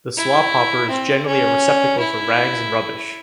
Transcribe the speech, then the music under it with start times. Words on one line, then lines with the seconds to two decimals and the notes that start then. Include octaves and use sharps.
The slop-hopper is generally a receptacle for rags and rubbish.
0.17 E4
0.90 C4
1.26 C#4
2.00 E4